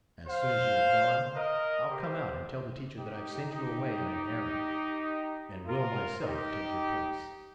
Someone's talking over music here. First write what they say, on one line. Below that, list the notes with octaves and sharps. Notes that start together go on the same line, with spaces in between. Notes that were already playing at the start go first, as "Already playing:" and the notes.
As soon as you are gone, I'll come out and tell the teacher that I've sent you away on an errand, and will myself take your place.
C5 F5
A#4 D#5
G4 C5
D#4 G4
D#4 G4
F4 A#4
D#4 G4